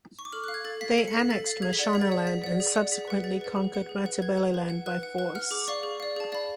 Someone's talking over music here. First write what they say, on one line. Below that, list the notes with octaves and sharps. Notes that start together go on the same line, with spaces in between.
They annexed Mashonaland and subsequently conquered Matabeleland by force.
C#6
D6
A4 F6
F#6
F5
G#6
A4 A6
F5 B6
A4 B6
C#7
F5
B6
A4 A6
F5
G#4 G#6
B6
D5 F#5 A6
G#4 B6
A6
D5 F#5
G#4 B6
D5 F#5
G#4
D5 F#5
G#4 B6
B4 F#5
G#4 A6
B4 F#5
G#4
B4 F#5
G#4
B4 F#5
B4 G#6
F#5
B4
F#5
B4 F#6
F#5
B4 F#6
F#5 F6
G#4 D6
D5 F5 C#6
G#4
D5 F5
G#4 A5
D5 F5 B5